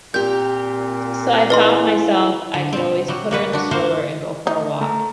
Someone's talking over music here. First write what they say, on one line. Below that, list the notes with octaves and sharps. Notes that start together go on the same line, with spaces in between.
so I found myself I could always put her in the stroller and go for a walk,
A#2 C4 G4 A#4 G6
E3 F4 G#4 B4 D#5 C6
D3
B2 C4
F#3 G3 F#4
A#3 F#4 B4
D4 F#4
A#3 F#4 C5
A2 D#4
A3 A#4